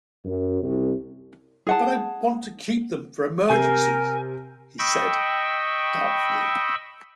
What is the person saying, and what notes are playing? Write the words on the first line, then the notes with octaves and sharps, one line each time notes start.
"But I want to keep them for emergencies" he said, doubtfully.
F#2
C2
G#4 F#5 A5
C3 A#4 G#5 G6 C7
D#5 G5 B5 C#6 E6